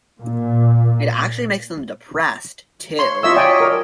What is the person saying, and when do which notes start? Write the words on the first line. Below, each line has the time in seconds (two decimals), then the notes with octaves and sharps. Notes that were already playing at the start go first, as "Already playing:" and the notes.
It actually makes them depressed too.
0.21 A#2
2.99 C#5 C6
3.23 F#3 F4 C#5 D#5 E5 E6
3.36 D5 G5 G#5
3.61 A#4